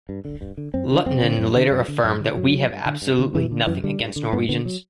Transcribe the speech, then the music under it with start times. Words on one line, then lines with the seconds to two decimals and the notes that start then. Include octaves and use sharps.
Luttinen later affirmed that We have absolutely nothing against Norwegians.
0.09 G2
0.25 D3
0.41 G2
0.57 D3
0.74 F#2 C4
0.90 D3
0.95 D4
1.06 F#2 C4
1.23 D3
1.39 F#2
1.56 D3
1.71 F#2
1.88 D3
2.04 F#2
2.20 D3
2.36 F#2 F#3
2.53 D3
2.69 G2
2.86 D3
3.02 G2
3.19 D3
3.34 F#2 E3
3.51 D3
3.67 F#2 E3
3.84 D3 G3
4.00 G2
4.16 D3
4.33 G2 B3
4.49 D3 B3
4.65 F#3